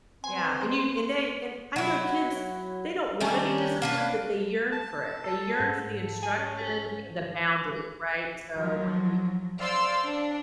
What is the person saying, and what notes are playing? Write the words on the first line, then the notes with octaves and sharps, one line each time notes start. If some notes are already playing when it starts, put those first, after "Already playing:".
Yeah, and you and they and I know kids, they don't wanna be disciplined, but they yearn for it. They yearn for the instruction and the boundaries, right? So, when we
C4 B4 G#5 C6
F#3 E4
D#3 G3 C#4 D4
A#3 D4 B4
A5
A4
G#2
G#5
C#4
F3 F#3
C5 D5 F5 C6 E6
D4